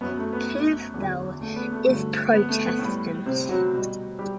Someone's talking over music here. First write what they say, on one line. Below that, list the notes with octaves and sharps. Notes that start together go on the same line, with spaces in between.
Campbell is Protestant.
F#2 F#3 B3
A3
B3
E2 D3 F#3
A3
B3
A3
G2 D3 F#3 A3
B3
A3
B3
A2 G3
C3 C4
F#3 F#4
B2 G3
G3 G4